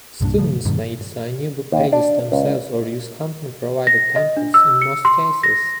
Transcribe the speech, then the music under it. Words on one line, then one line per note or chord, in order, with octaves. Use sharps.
Students may design yearbook pages themselves or use company-provided templates in most cases.
C2 G2 A#2 D4
C#3 F3 A3
F1 G2 B2 D#3
D#2
D4
C#2
A#6
D#5
D4
E6
C#7
C6
A#6